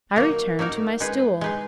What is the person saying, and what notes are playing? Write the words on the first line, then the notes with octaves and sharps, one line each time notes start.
I returned to my stool.
F#3 A#3 D#4 A#4
F#3 A#3 D#4 A#4
G#3 D#4 G#4 B4
G#3 D#4 G#4 B4